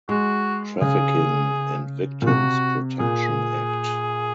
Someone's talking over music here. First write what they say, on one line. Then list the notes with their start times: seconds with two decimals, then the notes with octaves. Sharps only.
Trafficking and Victims Protection Act.
0.09 G#3 F#4
0.82 C#3 G#4
2.22 A#2
2.27 C3 F#4
3.00 A#2 G#4